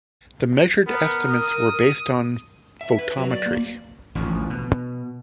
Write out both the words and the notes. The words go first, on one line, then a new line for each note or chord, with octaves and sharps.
The measured estimates were based on photometry.
B3 A#4
D#6
E5
B4
F#3
D5
A#3
A1 D2 F3
B2